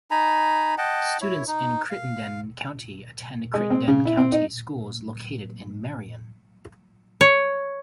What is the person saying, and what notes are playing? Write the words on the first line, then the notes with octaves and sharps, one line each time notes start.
Students in Crittenden County attend Crittenden County Schools located in Marion.
D#4 G#5 A#5 B5
D#5 F#5 G5 A5
E4 C#5
D#4
F5
G#3
C4
C#3
E4
C4
D#4
C#5